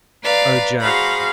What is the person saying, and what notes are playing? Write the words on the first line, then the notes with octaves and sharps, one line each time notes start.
"Oh, Jack!"
B4 D5 F5 A#5
F#4 G#4 C5 F5 A#5 B5